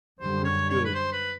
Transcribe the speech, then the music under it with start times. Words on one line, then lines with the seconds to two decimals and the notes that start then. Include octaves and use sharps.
it's good.
0.20 F#2 D3 G3 C5
0.45 C#5
0.70 C#5
0.85 B4
0.94 C5
1.12 B4